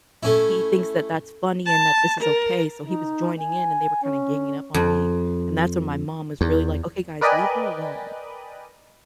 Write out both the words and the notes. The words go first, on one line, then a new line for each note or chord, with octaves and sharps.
he thinks that that's funny and that this is okay. So he was joining in, and they were kinda ganging up on me. And that's when my mom was really like, "Okay, guys, leave her alone.
A3 C#4 E4
A5
A#4
D#4
G#5
C#4
F2
E2
A#4 B4 D5 D#5 G5 G#5